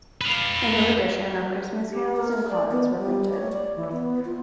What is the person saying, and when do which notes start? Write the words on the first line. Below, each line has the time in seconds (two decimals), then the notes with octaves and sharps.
A new edition of Christmas carols and cards were printed.
0.21 B4 F5
1.92 G4
2.17 A#4
2.50 D5
2.71 B3
2.98 G3
3.33 C#5
3.52 D5
3.76 E3
3.92 B3
4.25 F4